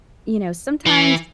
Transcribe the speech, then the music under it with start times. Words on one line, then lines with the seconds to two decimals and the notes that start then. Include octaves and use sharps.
you know, sometimes
0.86 E3